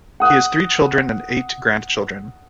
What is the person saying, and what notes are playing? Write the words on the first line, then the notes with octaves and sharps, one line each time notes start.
He has three children and eight grandchildren.
F#5 D#6 F#6